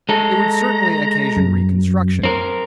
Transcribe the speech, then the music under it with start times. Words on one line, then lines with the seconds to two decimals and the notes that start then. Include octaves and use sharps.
It would certainly occasion reconstruction.
0.09 G#3 A4 A#5
1.37 F#2
2.23 C4 A#4